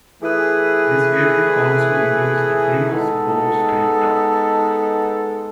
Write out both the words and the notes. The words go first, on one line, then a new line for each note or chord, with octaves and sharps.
This area also includes the famous Bow Street Dock.
E3 A3 E4 G#4 B4
G#3 B3 D#4 A4